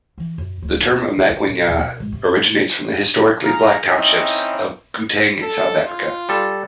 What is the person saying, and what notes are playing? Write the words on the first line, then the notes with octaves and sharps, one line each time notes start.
The term "amagwinya" originates from the historically Black townships of Gauteng in South Africa.
E3
F#2
D1
C4
C#3
D#4
A#2
D#1
B2
G#1
C3
G#4 F5 A#5
C4 C#4 D#4 E4 D#5
A4
F4
G3 A4